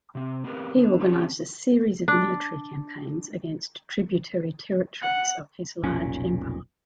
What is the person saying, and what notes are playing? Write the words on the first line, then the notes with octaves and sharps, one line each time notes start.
He organised a series of military campaigns against tributary territories of his large empire.
C3 C4
B3 C4 G4 G#4 A#4 B4
D3
C4 C#4 F#4 C#5 A5
D4
F#5
F1 B1 A#2 C#4